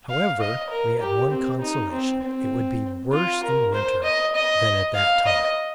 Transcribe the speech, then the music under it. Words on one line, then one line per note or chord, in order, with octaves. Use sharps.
However, we had one consolation,--it would be worse in winter than at that time.
F5
D#5
A#4
G4
C4
D#4
C4
C4
F4
A#4
C5
D#5
D#5
F5
D#5